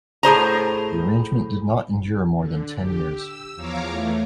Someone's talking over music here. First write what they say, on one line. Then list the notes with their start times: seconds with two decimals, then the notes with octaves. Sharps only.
The arrangement did not endure more than ten years.
0.23 A2 G#4 C5 A#5
2.34 D3
2.74 G4
3.14 E6
3.55 E2 F3 C#5 F5 A#5 D6
3.88 E3 A3